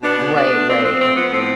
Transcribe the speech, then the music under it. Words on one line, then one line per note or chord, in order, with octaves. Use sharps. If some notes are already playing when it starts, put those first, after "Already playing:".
Right, right.
B2 B3 D4
B2
A3 B3 D4
B2
F3 C4
F3 C4
A3 C4
F3 B3
A2 C4